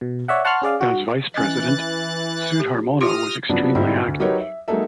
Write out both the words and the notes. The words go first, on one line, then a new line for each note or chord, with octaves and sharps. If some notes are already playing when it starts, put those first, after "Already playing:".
As Vice President, Sudharmono was extremely active.
B2
C#5 D5 E5 F#5
F#5 A5 C6 C#6 F6 F#6
C#4 G#4 D5 F5
F#4
E3 C#4 D#5 F#6 A6
G4
F4 G4 C6 D#6 F6 A#6
C#3 F3 F#3 B3 D4
G#2 D3 G3 C4 E4
D2
F#3 D#4 G4 A#4 B4 C#5
E5
F#3 G#3 A#3 D#4 A4 E5